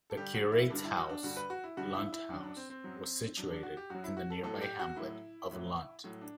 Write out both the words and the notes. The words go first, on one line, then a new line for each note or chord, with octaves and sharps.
The curate's house, Lunt House, was situated in the nearby hamlet of Lunt.
A4
G2 D3 G3 G4
F#4
E4
G2 D3 G3 D4
E4
F#4
D4
G2 D3 G3 F#4
B4
F#4
E4
G2 D3 G3 F#4
E4
E4
F#2 F#3 D4
D4
C4
C4
F#2 F#3
F#2 F#3 D4
D4
F#4
G4
F#2 F#3 F#4
E4
F#4
A4
A2 F#3 A4
G4
F#4
A2 F#3 E4
A2 F#3
A2 F#3
D4